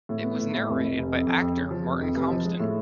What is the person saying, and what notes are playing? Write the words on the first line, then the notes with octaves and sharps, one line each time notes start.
It was narrated by actor Martin Compston.
A2
B3
A2
A2
F1
F1
F1
F2
F2
F2
C#3
F3
F1
F2
F1
F3
G#3
A2